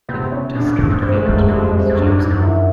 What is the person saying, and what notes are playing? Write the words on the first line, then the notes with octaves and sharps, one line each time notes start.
The district capital is Jerusalem.
C3 B3
C#4
B2 D4
A#2
A2
G#2
G2 C4
G#3
F#2 A3
G#3
F2 G3
G#3
C4
F2
F#2 D4
G2
D4
G2 D#4
F#2
E4